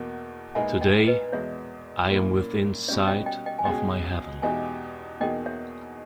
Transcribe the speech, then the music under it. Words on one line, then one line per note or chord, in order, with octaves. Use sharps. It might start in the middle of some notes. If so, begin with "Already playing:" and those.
Today, I am within sight of my heaven.
Already playing: E2 B2 A#3
A#2 G#3 B3 D#4 G#4 E5 G#5
D#5 G5
B4 D#5
E2 B2 G#3 C#5 E5
A#2 A#3 C#4 E4
B2 G3 C#4 C#5 E5
D#5 G5
D#5 G5
D#5 G5
G#5
C#2 B2 G#3 C#4 G#4 D#5 G5
E2 B2 G#3 D#4 G4 E5 G#5
E2 B2 A#3 D#4 G#4 D#5 G5
C#5 E5